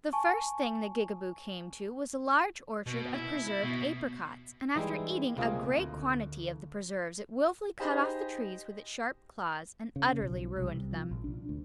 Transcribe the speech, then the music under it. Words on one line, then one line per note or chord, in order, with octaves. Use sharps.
The first thing the Gigaboo came to was a large orchard of preserved apricots, and after eating a great quantity of the preserves it wilfully cut off the trees with its sharp claws and utterly ruined them.
G#5 A5 C#6
B2
E4
E4
B2
E3 G3 G#3 D#4 E4
C#2 C3 A#3 F4 G#4 D#5
D2
D#4 G4 G#4 C5 D#5 B5
C#3
B1
C2
F3
A#1
D4
D2